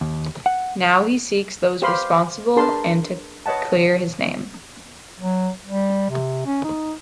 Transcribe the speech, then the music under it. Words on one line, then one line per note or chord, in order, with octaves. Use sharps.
Now he seeks those responsible and to clear his name.
D#2
F#5
G4 B4 C5 F5 B5 C6
D4 G#4 A#4 B4 A5 C6
B4 C#5 D#5 F#5 A5
F#3
G3
C3
C#4
D#4